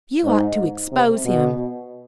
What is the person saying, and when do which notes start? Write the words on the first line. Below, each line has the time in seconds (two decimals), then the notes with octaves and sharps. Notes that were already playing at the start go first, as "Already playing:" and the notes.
"You ought to expose him."
0.25 G#2
0.92 C3
1.25 B2